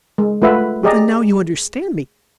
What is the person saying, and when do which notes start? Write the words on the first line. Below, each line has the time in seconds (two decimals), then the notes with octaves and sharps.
Well then, now you understand me.
0.18 G#3
0.42 A3 F4 B4 E5 F#5
0.83 G4 G#4 D5 D#5 A#5